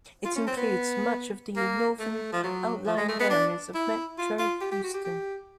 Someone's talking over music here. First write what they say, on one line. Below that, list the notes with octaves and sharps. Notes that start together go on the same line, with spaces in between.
It includes much of the northern outlying areas of metro Houston.
F4
C#4
C4
B3
A#3
A3
F3
F#3
F3
G#3
A3
B3
D4
E4
F4
F4
G4
G4
F#4
G4
G4